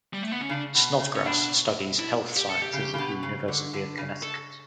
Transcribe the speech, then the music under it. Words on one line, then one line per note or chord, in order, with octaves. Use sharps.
Snodgrass studies health sciences at the University of Connecticut.
G3
A3
B3
C#4
C#3 D4
B2
C#3
C#4
B2 D4
E4
G4
A4
G4
C#3
C#3
B2
C#3
D3
D3
C#3
A4